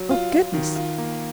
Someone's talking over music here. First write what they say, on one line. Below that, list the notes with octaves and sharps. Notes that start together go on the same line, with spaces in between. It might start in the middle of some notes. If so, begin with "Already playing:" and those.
Oh, goodness!
Already playing: F#3
F4
F4
D#3
F4
A#3